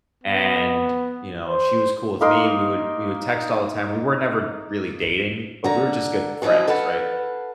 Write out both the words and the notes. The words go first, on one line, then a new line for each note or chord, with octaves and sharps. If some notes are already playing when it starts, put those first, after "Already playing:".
and, you know, she was cool with me. We would we would text all the time. We were never really dating, but we were just good friends, right?
B3
C5
A#3 D#4 A#4 C6
D3 A#5
F#2 F3 F#3 E4 D#5
A4 B4 F5 F#5